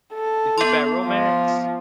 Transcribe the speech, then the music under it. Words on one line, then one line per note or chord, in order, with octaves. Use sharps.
is it Bad Romance?
A4
B3 C6
F3